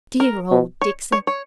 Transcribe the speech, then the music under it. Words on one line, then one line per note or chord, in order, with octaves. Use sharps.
'Dear old Dixon!
A#4
B2
C#5
C#5
C#5